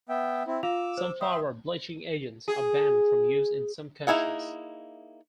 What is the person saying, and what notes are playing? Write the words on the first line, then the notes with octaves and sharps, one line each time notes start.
Some flour bleaching agents are banned from use in some countries.
B3 E5 G5
C4 E4
F4 F5 D6 E6 F7
C5
E5 G5 C6 D#6
G#4
A#3 D#4 E4 G#4 F#5